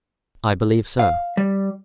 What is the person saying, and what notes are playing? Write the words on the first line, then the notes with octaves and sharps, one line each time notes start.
"I believe so."
F5
G3